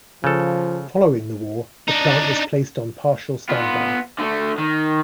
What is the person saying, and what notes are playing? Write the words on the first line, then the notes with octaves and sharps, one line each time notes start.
Following the war, the plant was placed on partial standby.
C#3 F3 A4
D4 D#4
B3 F4
D3 A3
D#3